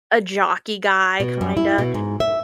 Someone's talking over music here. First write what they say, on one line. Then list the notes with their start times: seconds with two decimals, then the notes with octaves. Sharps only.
a jockey guy kinda,
1.20 B2
1.41 F#2
1.57 E4
1.78 B2
1.94 G#2
2.20 E5